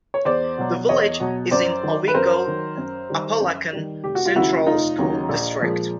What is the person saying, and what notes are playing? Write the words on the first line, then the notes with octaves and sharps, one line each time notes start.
The village is in the Owego-Apalachin Central School District.
C#5
E2 C5 D5
B2 F#3
E2 C#5 D#5
B2 F#3
F#2 C5 D5
D#3 F#3
B4
F#2 A#4 C5
D#3 F#3
F#2
D#3 G3
F#2
D#3 G3
F1 G4
F#4
F4
D#2 C#3 F#3 E4 F#4
F1 D#4 F4
D#2 C#3 F#3
A#1
A#2 F3 G#3